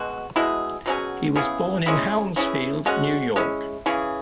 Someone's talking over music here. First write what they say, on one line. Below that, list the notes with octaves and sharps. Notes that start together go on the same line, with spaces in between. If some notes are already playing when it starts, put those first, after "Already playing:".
He was born in Hounsfield, New York.
Already playing: B2 G#3 F#4
B2 G#3 E4 G#4
B2 F#3 C#4 G#4
C#3 E3 B3 G#4
G#3 C#4 E4 G#4
E3 C#4 E4 G#4
G#3 C#4 F#4
G#3 C#4 E4
C#3 E3 C#4 G#4